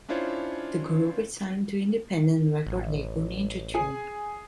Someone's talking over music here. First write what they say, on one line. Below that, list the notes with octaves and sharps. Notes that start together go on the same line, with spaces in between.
The group is signed to independent record label Ninja Tune.
C#4 D4 E4 F4 C5 C#5
A1
G#4 G#5